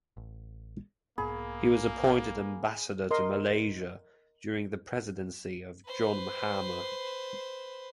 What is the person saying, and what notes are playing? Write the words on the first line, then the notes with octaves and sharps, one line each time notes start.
He was appointed Ambassador to Malaysia during the presidency of John Mahama.
A1
B1 G#2 A#3 B3 G#4 B5
A#4 D#5 C6
B4 C5